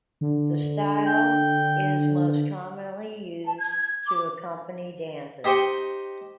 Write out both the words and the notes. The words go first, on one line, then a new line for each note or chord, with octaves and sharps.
The style is the most commonly used to accompany dances.
D3
G5
A5
G#6
D6
D#4 G4 C5 D#5 G5 C#6